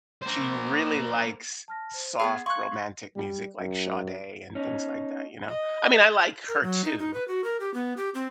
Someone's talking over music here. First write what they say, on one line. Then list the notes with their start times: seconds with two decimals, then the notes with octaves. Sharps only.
she really likes soft, romantic music like Sade and things like that, you know. I mean, I like her too,
0.22 A#3 C5
1.68 A5 F6 A#6
1.94 C5
2.19 B3 C#4 G#4 C6 E6
2.46 F5 C6 C#6 F#6 G#6
3.16 G3
3.59 F#2
4.55 C#4 D#4
5.48 D#5
6.48 A#4
6.63 F#3
6.84 D#4
6.99 D#4
7.14 B4
7.28 F#4
7.44 A#4
7.60 G4
7.74 B3
7.97 G4
8.15 C4